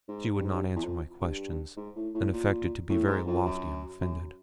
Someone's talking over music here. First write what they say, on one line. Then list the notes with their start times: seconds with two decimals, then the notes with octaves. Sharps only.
She would not answer my questions, and affected to be very lofty and offended.
0.08 G#2
0.36 G2
0.44 G#2
0.53 G2
0.76 E2
0.84 F2
1.21 G2
1.76 G#2
1.96 A2
2.14 A2
2.32 A#2
2.89 A2
3.07 G#2
3.27 F2
3.45 F#2
4.01 F#2